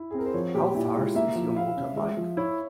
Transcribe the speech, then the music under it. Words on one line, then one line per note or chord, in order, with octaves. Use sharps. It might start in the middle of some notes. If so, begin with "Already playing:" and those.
How fast is your motorbike?
Already playing: E4
G#4
C4 A#4
C5
F3 C#5
A#2 G4
A#2 E4
F4
G#3
A#3 E5
F3
E4 F5
C#4
G#3 E5
F3
E4 C#5